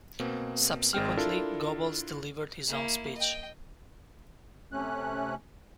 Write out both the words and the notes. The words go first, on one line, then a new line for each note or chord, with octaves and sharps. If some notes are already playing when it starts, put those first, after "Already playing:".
Subsequently, Goebbels delivered his own speech.
B2 A#3 C4
G#1 G#3 C4 G5 F6
D4 E4 F4 A4 A#4
A#3 E4
D#5 G5
C3 A3 C#4 F#6